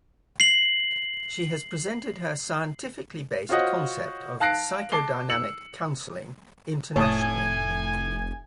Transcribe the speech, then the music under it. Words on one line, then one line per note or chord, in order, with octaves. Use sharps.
She has presented her scientifically based concept of psychodynamic counseling internationally.
C7 F#7
F4 F#4 C5 C#5 D#5 F#5
F5 A5 F#6 A#6 C7 D7
A5 D6 C7 G7
E6 C#7 F#7
F1 A2 C#5 G#5 A5 D#6